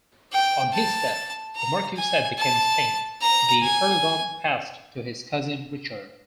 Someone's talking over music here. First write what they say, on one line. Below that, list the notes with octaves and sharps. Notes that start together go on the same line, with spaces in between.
On his death the marquessate became extinct; the earldom passed to his cousin Richard.
G5
A5
A#5
G#5
A5
A#5
G#5